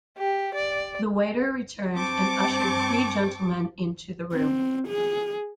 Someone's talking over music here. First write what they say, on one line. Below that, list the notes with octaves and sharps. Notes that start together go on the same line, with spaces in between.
The waiter returned, and ushered three gentlemen into the room.
G4
D5
G2 C4 A5 C#6 D6
C4
G#4